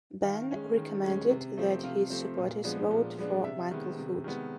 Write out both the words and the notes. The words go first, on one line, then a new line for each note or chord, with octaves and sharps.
Benn recommended that his supporters vote for Michael Foot.
D#3 F5
G#3 C#4
D#3
G#3 C#4
C3
F3 A3 C4
C3 F5
F3 A3 C4
A#2
F3 G#3 B3 D4
A#2
F3 G#3 B3 D4
C3 E5
D#3 G#3 B3
C3
D#3 G#3 B3